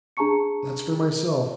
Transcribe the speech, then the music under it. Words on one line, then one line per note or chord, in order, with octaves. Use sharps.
That's for myself.
D4 G#4 A5 A#5 C#6 C#7